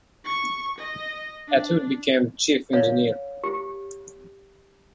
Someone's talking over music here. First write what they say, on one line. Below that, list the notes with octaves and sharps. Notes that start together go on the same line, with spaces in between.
Atwood became chief engineer.
C#6
D#5
D4
C#5 F5
G4